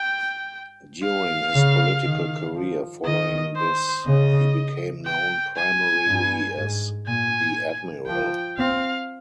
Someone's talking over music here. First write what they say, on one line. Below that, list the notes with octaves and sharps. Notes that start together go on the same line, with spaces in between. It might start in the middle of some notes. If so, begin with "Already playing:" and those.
During his political career following this he became known primarily as "the Admiral".
Already playing: G5
F5
C#3
D#3
F3
D#3 D#5
C5
C#3 D#5
G5
G#5
G2
G#2
A#2 G#5
F3 G5
C4 F5